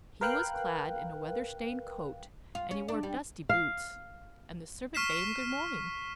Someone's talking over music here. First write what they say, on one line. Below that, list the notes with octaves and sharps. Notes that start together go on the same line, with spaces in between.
He was clad in a weather-stained coat, and he wore dusty boots, and the servant bade him good-morning.
A#4 B4 F5 G5 F#6
F4
C#4
D4
G3
F5
C#6 F6 B6 C7 E7